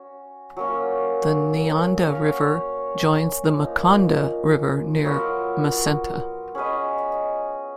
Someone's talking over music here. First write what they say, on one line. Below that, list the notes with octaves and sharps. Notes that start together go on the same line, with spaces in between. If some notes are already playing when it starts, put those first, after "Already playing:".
The Nianda River joins the Makonda River near Macenta.
Already playing: C#4 F#4
F#3 A#3 C#4
C#4 F#4 C#5 F5
F3 A#3 D#4
F#3 B3 F4 A#4
C#4 G#4 B4 D#5